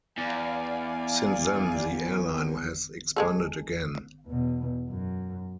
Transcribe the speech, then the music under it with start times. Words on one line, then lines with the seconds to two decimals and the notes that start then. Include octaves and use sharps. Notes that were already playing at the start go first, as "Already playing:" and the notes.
Since then the airline has expanded again.
0.18 E2 D5 F5 G#5
3.16 G#3 G#4 A4
4.27 E2 B2
4.90 F#2